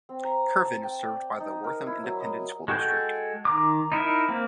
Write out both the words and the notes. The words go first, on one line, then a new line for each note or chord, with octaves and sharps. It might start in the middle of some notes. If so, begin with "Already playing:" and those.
Kirvin is served by the Wortham Independent School District.
C4
A#5
A5
G5
D5
D#4
A#4
E4
F#3
D#5
G#3 F#4 A4 G5 G6
D#3 A#5 D6
D#4 E4 A#4 E5
A#3 C4